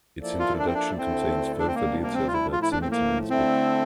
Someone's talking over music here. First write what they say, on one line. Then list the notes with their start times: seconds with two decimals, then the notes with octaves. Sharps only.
Its introduction contains further details about Symington and his book.
0.20 F3 A#3 E4 A4 D5
0.39 F4
0.59 D4
0.67 C4
0.74 D4
0.98 D2 D3 A3 C4 E4 A4
1.59 D4
1.67 C4
1.75 D2 C3 G3 A#3 D4
2.03 A#3
2.14 C4
2.27 F4
2.33 E4
2.52 A2 F3 A3 F4
2.62 E4
2.72 D4
2.81 C4
2.91 A#3
3.30 D3 A3 C4 E4 A4 E5